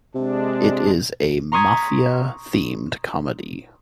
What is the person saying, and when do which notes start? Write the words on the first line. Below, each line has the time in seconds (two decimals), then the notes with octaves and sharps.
It is a mafia-themed comedy.
0.15 C3 G#3 D4
1.52 A#5 C6 C#6 D#6 G#6 B6